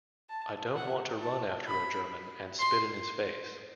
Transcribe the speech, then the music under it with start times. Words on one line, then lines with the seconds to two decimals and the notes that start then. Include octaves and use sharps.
I don't want to run after a German and spit in his face.
0.29 A5
0.76 F#5
1.21 A5
1.67 B5
2.59 C6